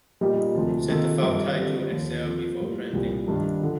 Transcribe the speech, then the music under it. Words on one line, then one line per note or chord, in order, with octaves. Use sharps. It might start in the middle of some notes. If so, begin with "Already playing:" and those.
Set the file type to Excel before printing.
A#2 G3 A#3 D#4 G4
D2 C3 F3
C3 D#3 A#3 F4 A4
G2 D#3 G3 A#3
D3 G3 C4 F4
D#2 D3 F3
F3 C4 F4 A4
A2 G3 A#3 F4
C2 A#2 G3
G2 D#3 G3 D4
D3 F3